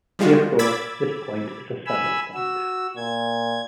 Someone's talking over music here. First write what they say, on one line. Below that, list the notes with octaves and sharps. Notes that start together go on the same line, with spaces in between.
Therefore, this point is a saddle point.
F3 G3 G#3 F4 F#4
B5 D6 E6 G#6 A6
G#5 B5 E6
F#4 E6
A#2 G#6